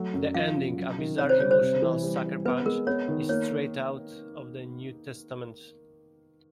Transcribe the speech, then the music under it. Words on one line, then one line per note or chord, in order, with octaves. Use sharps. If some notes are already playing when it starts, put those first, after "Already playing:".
The ending, a bizarre emotional sucker punch, is straight out of the New Testament.
Already playing: F#3 A3
F#2
F3 F5
C#3
F#3
D#3
C3 C#5
C5
G3 C#5
C5
C3
E3
G3
G3
B3 B4
G#3 A#4
B3 C#5
D#3
A#3 C#5